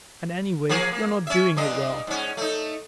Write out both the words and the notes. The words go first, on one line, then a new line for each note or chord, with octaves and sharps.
And anyway, you're not doing it well.
F3 A#3 G#4
A#3
C#4 E5
G2 D4 D#5
G#2 C#4
A3 D#4